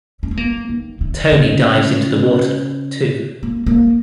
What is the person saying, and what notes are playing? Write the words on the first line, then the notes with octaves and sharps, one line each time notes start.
Toni dives into the water, too.
C#4
C4
A#3
D#3
D#3
C#3
A#3
A#3